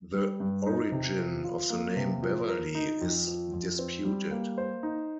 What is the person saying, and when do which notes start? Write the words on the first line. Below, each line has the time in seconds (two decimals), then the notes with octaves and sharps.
The origin of the name Beverly is disputed.
0.14 G3
0.40 G2
0.67 D#4
0.92 C3
1.18 F3
1.44 F4
1.70 A#3
1.96 C3
2.23 F3
2.49 A#4
2.75 D#4
3.01 F2
3.27 F3
3.53 F2
3.79 C4
4.05 G3
4.31 A#3
4.58 C5
4.83 D#4